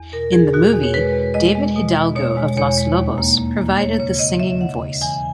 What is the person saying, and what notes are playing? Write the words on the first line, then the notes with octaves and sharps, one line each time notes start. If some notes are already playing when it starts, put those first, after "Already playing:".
In the movie David Hidalgo of Los Lobos provided the singing voice.
Already playing: E2
B2 A#4
E2 G#4
B2 F#4
E2
C#5
G#3 B4
E2
G#3 D#5
G#3
B2
B2
B2 C#5
G#3
E2 C#5
G#3
D#2
A#3
A#3
A#3
A#3 C#5
C#3 C#5
C#3 D#5
C#3 E5
D#2 F#5
C#3
E3 G#5